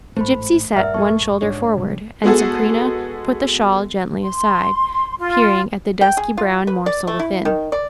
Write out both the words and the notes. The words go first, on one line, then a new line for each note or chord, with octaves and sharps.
The gipsy set one shoulder forward, and Sabrina put the shawl gently aside, peering at the dusky brown morsel within.
A1 G#2 A3 C5 B5
A#1 G2 A#4 D5 E5 F#5 A#5 F6
G#4 A4 C#6
G1 G#2 D4 C#5
C3 F3 G3
G#3 B3 F#4 G#4 A4
C6
F4 C6
G5
G#4
F4
B4
D5
A3
E4
D#3
D5